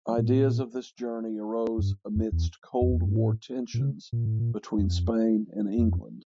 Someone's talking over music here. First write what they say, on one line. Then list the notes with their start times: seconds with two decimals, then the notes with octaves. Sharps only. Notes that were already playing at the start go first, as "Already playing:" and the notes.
Ideas of this journey arose amidst cold war tensions between Spain and England.
0.18 A#2
0.27 A2
0.36 A#2
1.78 F2
1.82 G2
2.15 F2
2.32 E2
2.81 F2
2.92 E2
3.00 F2
3.06 G2
3.15 A2
3.74 A#2
3.80 C#3
4.13 A#2
4.26 A2
4.39 A#2
4.78 F2
5.78 F2